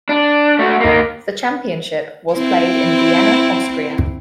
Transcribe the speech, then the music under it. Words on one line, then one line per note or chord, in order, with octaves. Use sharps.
The Championship was played in Vienna, Austria.
D4
A3 F#4
A#3 D#4
C4 E4